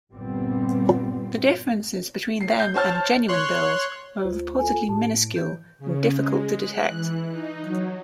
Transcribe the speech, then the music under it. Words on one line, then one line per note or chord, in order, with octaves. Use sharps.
The differences between them and genuine bills were reportedly minuscule and difficult to detect.
G1 A#2 G3 B3 C4
C7
G6
C5 C#5 A5 F6 A6
C#5 C6 F#6
D2 F4 C5
F4 A4 G#5
A2 G4 A5
D7
E3 G6
C#3
G#3
F#6
E3
D#4
F#3